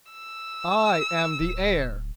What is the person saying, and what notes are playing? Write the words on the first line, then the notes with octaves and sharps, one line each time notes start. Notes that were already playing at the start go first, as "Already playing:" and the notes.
"I am the heir."
E6
D1